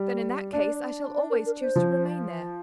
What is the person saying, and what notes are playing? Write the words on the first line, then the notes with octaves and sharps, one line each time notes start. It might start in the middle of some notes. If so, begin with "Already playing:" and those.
"Then in that case I shall always choose to remain there."
Already playing: G3
D4 D5
D5
A#4
A#4
C5
F3